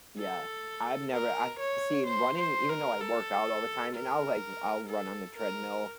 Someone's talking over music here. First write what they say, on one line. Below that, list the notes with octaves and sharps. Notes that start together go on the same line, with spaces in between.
Yeah, I've never I've seen running even though I work out all the time, and I'll, like, I'll run on the treadmill,
A4
A#4
C#5
C5
C5
A#4
A4
A#4
A4
A#4